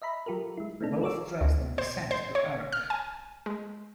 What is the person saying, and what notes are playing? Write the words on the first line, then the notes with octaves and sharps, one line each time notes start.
Both trace their descent to Ercc.
D#5 E5 A#5 B5
F#3 F4 G4 A4 A#4
G#3 E4
A3 B3 C4 D4 D#4 A4
G#4 A#4 C#5 D6 E6
D2
C5
C5
C#5
F6
G#5
G#3